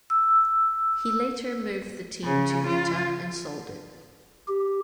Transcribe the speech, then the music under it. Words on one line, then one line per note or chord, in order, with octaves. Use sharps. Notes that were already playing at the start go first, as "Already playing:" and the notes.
He later moved the team to Utah and sold it.
E6
C#3
F4
G4